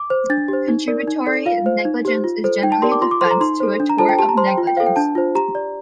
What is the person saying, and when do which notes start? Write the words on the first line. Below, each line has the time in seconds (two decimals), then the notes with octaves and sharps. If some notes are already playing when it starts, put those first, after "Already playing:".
Contributory negligence is generally a defense to a tort of negligence.
Already playing: D6
0.10 C5
0.30 D4 A6
0.48 G4 C5
0.68 D#4
0.88 A#4 D5
1.08 D#4
1.26 A4 D5
1.46 F4 F5
1.66 C5
1.85 D#4
2.05 G4 C5
2.24 F4
2.44 A4 C5
2.63 D#4 G5
2.72 A5
2.82 G4 A#4 D5 C6
2.92 D6
3.01 F4 C6
3.11 D6
3.21 A4 C5 C6
3.31 A#5
3.41 D#4 C6
3.60 A4 C5
3.80 D4
3.90 A#5
3.98 F4 A4 C5 A5
4.09 G5
4.19 G4 A5
4.29 A#5
4.37 C5 C6
4.48 G5
4.58 F4
4.67 G5
4.77 C5 F5
4.80 A4
4.86 G5
4.96 D4 A5
5.15 F4 C5
5.35 G4 A#5
5.55 D5